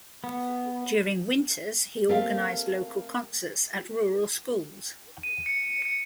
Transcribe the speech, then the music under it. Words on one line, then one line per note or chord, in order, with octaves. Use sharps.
During winters, he organized local concerts at rural schools.
B3
A3 A#3 C4 G4 C5 F5
D#7
C#7
C#7